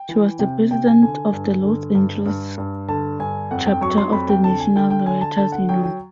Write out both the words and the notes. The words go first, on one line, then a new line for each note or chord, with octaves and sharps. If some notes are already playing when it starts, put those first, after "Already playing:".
She was the president of the Los Angeles chapter of the National Writers Union.
Already playing: G5
E3
C3 G5
C3 G5
G#5
D3 G#5
G2
D3
G2
G2
G2
D3 A5
G2 G#5
F2 F#5
G5
F#3 C#6
C6
F2 B5
G5
D3 A5
G#5
D3 G5
G5
D3 G#5
A5
D3 A5
F#5
F#3 G5
G5